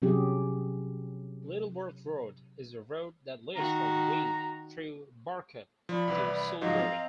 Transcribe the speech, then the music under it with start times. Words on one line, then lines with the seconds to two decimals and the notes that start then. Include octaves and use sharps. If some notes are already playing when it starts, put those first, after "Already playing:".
Littleworth Road is the road that leads from Wing through Burcott to Soulbury.
0.02 C3 F#3 C#4 G4 G#4
3.56 D#3 F#4 A#5
5.89 F3 D5 B5
6.08 C2 E3 B4
6.61 G#2 F3 F#3 D#5 F5 A#5
6.78 C4